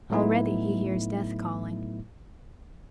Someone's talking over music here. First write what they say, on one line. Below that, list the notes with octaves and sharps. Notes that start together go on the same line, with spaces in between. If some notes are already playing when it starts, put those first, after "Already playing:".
Already he hears death calling.
A2 F#3 A3 B3 D#4 E4